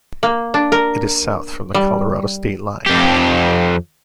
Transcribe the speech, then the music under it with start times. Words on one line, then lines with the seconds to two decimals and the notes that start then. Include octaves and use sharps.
It is south from the Colorado state line.
0.23 A#3
0.54 D4
0.72 A#4
1.74 G3
2.86 F2 G4